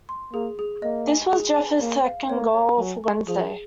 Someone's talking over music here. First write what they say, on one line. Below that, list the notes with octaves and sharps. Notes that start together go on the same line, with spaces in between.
This was Jeffers' second goal for Wednesday.
C6
A#3 G#4
G#4
A#3 D#5
G#5
G#4
G#5
A#3 C#5
F5
A#3 C#5
C#5
F#3 G#5
C#6
F3 G#4